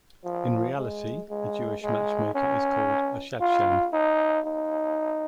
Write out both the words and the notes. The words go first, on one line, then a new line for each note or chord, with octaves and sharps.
In reality a Jewish matchmaker is called a "shadchan".
F3
G#3
G#3
G#3
C#4
F4
D#4
D#4